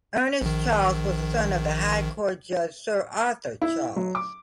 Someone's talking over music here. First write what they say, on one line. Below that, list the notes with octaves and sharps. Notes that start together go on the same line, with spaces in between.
Ernest Charles was the son of the High Court judge Sir Arthur Charles.
A#1 D#3
E4
F#3
D6